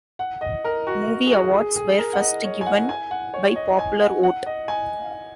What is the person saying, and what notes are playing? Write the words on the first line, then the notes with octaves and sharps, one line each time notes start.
Movie awards were first given by popular vote.
F#5
D#5
A#4
F#4
G#4
F#4
G#4
G#4
A#4
F#5
D#5
C#5
G#5
F#5
G#5
F#5
C#5
D#5
G#5
F#5
F#5
D#5
G#5